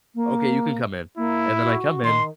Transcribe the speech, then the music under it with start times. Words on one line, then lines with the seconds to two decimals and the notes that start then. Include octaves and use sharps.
"Okay, you can come in." And then I come in
0.15 A#3
1.17 A#3 E4
1.62 F#4
2.05 D#3 C6